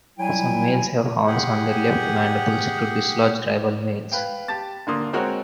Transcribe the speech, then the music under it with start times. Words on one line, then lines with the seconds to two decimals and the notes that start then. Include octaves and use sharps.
Some males have horns on their left mandibles to dislodge rival males.
0.19 F#3 G3 E4 G5 G#5
1.27 G4 G#4 F#5
4.12 B4 F5 G5
4.48 G4 A5 A6
4.87 D#1 D3 A#3 C6 D#6
5.13 G#3 C4 F#4 A#4 C#5 G5